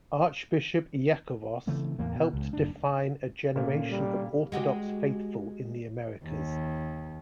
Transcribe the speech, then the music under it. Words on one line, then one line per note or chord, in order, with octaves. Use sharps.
Archbishop Iakovos helped define a generation of Orthodox faithful in the Americas.
C#3 E3 A3 C4
E2 A2 A#3
B2
C#2
F#1 D4
A#2 C#3 A3
G3
G#3 F#4 G4
D#2